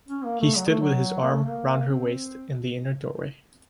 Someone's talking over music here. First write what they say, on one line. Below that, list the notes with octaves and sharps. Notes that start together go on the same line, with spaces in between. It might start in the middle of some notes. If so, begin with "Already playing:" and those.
He stood with his arm round her waist in the inner doorway.
C#4
A#3
A3
F#3
A3
F#3
A#3
A3
A#3
C4